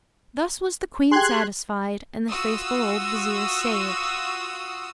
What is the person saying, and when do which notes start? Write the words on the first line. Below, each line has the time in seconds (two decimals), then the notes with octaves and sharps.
Thus was the Queen satisfied, and the faithful old vizier saved.
1.11 G4 G#4 C6 F#6 G#6
2.28 F4 F#4 D#6 E6